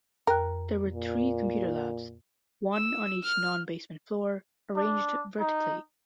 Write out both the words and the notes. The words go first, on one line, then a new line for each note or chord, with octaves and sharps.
There were three computer labs: one on each non-basement floor, arranged vertically.
F2 A#4 G5 F#6
A#2
E6
F6
D4
D#4